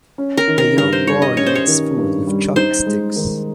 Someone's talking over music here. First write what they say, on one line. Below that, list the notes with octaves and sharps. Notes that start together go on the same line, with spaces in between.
A young boy eats food with chopsticks.
C#4
A#4
D#3
A#4
G2 A#4
C5
G3 C#5
D#5
C#4 C#5
C5
C#5
D#3
G2
G3
D#4 C5
G#3
D#3